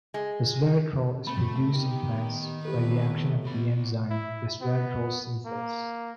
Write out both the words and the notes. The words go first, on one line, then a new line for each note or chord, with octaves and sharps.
Resveratrol is produced in plants by the action of the enzyme, resveratrol synthase.
G#3
A#2 A3 C4 B5
D#3 B3 G4 A#4
E2 A2 G4 A4 B4
F#3 B3 B5
E4
B3
A#3